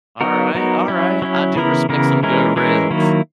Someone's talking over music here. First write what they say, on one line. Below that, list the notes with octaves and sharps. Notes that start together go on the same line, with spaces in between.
Alright, alright, I do respect some good ribs.
F#3 B3 D#4 F#4 A#4
F#3 B3 D#4 F#4 A#4
F#3 C#4 E4
F#3 C#4 E4
C#3 E3 B3 E4 A#4
C#3 E3 B3 E4 A#4
E3 G#3 C#4 E4 A#4
E3 G#3 C#4 E4 A#4
D#3 F#3 A#3 E4